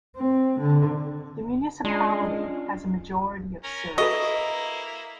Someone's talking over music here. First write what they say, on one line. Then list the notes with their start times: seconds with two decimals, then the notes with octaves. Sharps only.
The municipality has a majority of Serbs.
0.17 C4
0.60 D3
1.85 G#3 C#4 D4 F4 C7
3.64 C#4 A#4 A#5
3.98 A#3 E4 F#4 A4 B4 D#5 A#5